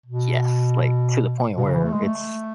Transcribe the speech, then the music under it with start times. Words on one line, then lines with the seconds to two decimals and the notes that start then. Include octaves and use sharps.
Yes. Like, to the point where it's
0.06 B2
1.57 B2
1.64 C#3
1.74 E3
1.84 A3
1.93 G#3
2.04 A3